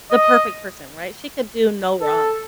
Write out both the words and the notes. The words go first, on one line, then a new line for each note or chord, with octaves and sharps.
the perfect person, right? She could do no wrong.
D#5
A4